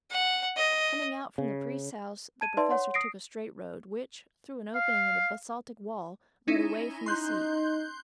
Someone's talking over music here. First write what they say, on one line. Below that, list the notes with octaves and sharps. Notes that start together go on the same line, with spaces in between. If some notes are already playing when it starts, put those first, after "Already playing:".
Coming out from the priest's house, the Professor took a straight road, which, through an opening in the basaltic wall, led away from the sea.
F#5
D#5
C#3
A5 G#6 D#7
D#4 B4 D5 E5 A5 C6
C#5 F#5 C6
D#6 A#6 C7 D7
F5
C#4 D#4 E4
D#4 C6 F#6 G6